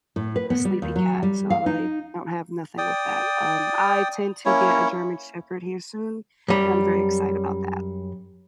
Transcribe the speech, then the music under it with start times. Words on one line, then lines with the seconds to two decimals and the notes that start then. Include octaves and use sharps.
a sleepy cat, so I really don't have nothing with that, um, I tend to get a German shepherd here soon, and I'm very excited about that.
0.16 A2
0.36 B4
0.50 B3
0.65 G3
0.82 D#2
0.96 F#3
1.23 G3
1.50 F5
1.66 D#4
2.78 D5 G5 D#6
4.45 A#3 C#4 E4 C#5
6.48 F#2 G3